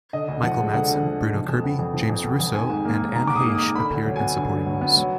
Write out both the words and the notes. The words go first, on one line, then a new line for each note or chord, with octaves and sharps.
Michael Madsen, Bruno Kirby, James Russo, and Anne Heche appeared in supporting roles.
D3 D#5
D2
F3 F#5
G#3
D3 F#5
D2
F3
G#3
F3
F2
B3
F2
F3
F2
B3
F2
D#3 G#5
G#2
A#3
G#2
D#3 A#5
G#2 D6
D#6
A#3
D#6
G#2
D3 B5
D2
F#3
B3 G#5
D3
D2
F#3
B3
F#3